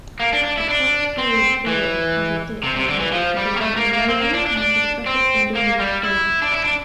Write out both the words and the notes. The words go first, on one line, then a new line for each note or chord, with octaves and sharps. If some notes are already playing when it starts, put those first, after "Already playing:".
The top soil storage has a ditch around it to prevent erosion and to stop it from being washed away.
A#3
D4
D4
E4
D4
C4
E3
C3
C3
D3
E3
F3
G3
A#3
A3
A#3
A#3
C4
A#3
D4
D4
D4
C4
A#3
G3
E4
D4
E4
D4